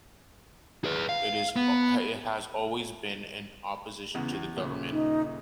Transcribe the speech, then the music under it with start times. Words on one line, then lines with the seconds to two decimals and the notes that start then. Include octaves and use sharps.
It has always been in opposition to the government.
0.84 G#4 B4
1.09 F5
1.56 B3
4.14 E2 C#3 B3
4.32 E2
4.56 D#1 C#3
4.91 D#4